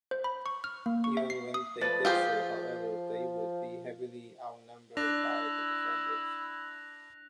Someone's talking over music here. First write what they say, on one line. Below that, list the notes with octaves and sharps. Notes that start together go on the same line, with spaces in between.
Even when they did so, however, they would be heavily outnumbered by the defenders.
C5
B5
C#6
F6
A#3
C#6
E5
C7
D#6
F3 A4 B4 D5
F4 G4 G#4 C5
D4 E4 F#6 A#6 F7